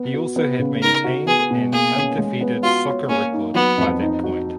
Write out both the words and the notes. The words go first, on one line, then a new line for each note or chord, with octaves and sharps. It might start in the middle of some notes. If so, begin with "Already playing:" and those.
He also had maintained an undefeated soccer record by that point.
Already playing: B3
F#4
B3
C#3
D#4 A#4
F#4
B3 G#4
B2
A#3 G#4
C#4
G#3
B3
F4 F#4
C#5
A#3 C#4
D#4
F#3 B3
F2
D#4
F#4